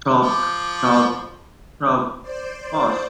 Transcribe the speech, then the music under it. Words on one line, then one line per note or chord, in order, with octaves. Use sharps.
Throb, throb, throb, pause.
F3 D6
C5 D5